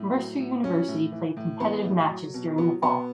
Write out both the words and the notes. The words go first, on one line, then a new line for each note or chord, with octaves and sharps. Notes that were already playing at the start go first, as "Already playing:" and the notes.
Mercer University played competitive matches during the fall.
Already playing: A2
F#3
A2
F#3 C#4
A2
E3
A2
E3 B3
A2
F#3
B2
F#3 B3
B2 B3